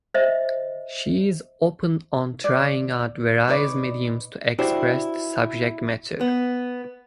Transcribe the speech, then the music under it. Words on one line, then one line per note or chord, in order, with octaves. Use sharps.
She is open on trying out various mediums to express the subject matter.
C5 D#5 E5
D5
D#4 B4 C#5 D5
D4 E4 F#4 G4 C5 D5
B3